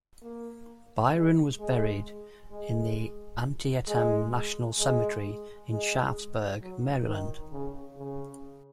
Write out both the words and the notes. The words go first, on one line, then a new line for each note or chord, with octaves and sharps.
Byron was buried in the Antietam National Cemetery in Sharpsburg, Maryland.
A#3
G#3
G#3
G#3
G#3
G#3
G#3
F#3
D#3
C#3
C#3